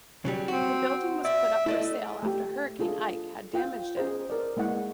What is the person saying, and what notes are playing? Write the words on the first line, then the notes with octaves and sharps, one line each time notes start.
The building was put up for sale after Hurricane Ike had damaged it.
C#3 F#3 G3
C4 F#4
D5 E5
A3 E4 D5 D#5
A3 G4
D4 F4 G#4 A4
F4 G5
C#4 G#4 C5
A#4 D5
G#3 A#3 E4 F#5